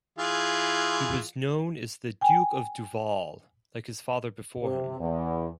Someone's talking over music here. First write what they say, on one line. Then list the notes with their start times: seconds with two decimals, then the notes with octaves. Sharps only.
He was known as "The Duke of Duval," like his father before him.
0.19 E3 F4 G#4
2.21 G5 G#5
4.62 C3
4.99 E2